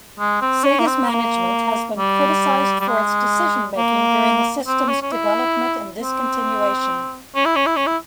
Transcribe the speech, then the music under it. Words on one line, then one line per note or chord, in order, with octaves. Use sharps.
Sega's management has been criticized for its decision-making during the system's development and discontinuation.
G#3
C4
C#4
A#3
C4
A#3
G3
G3
G#3
A#3
C4
C#4
C#4
E4
C4
C#4
E4
C#4
E4
C#4
E4